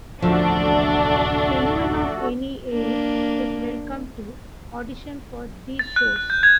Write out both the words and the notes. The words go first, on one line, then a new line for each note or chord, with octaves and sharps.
Anyone of any age is welcome to audition for these shows.
A1 D2 A2 F3 A3 D4 F#4 A4
A#3 D4
A6
F#6
F#6
G6
G#6